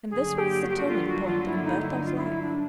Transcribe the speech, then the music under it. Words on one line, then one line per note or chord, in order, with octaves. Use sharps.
And this was the turning-point in Bertel's life.
G2 D3 F#3 A#3 G#4
G4
F#4
G4
F#4
F4
F#4
F4
E4
D#4
E4
D#4
F4
E4
D4